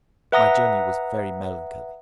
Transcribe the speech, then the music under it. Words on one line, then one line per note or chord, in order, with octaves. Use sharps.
My journey was very melancholy.
B4 E5 F#5 A#5 D#6 A#6